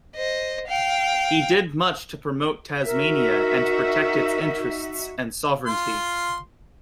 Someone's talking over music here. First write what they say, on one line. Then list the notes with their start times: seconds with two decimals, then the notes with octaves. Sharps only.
He did much to promote Tasmania and to protect its interests and sovereignty.
0.16 C5 D#5
0.68 F5 G5
2.85 D#4 F#4 A#4 E5
5.67 F4 C6